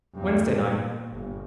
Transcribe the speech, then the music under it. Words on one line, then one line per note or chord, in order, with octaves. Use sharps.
Wednesday night?
E2 G2
A#2
G1